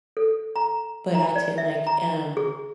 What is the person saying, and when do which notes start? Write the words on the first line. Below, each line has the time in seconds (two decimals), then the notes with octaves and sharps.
But I tend like um,
0.17 A4
0.56 A#5
1.15 A#5
1.36 D5
1.58 E5
1.87 A#5
2.37 G#4